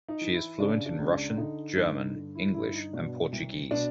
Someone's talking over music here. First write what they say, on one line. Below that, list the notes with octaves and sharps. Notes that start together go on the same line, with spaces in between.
She is fluent in Russian, German, English, and Portuguese.
D#4
E3
E4
C#3 D4
D4
C#2
D4
D3 D#4
G2 D#4
D3
E4
G2 E4
D#4
B2 D4
C2
B2 D4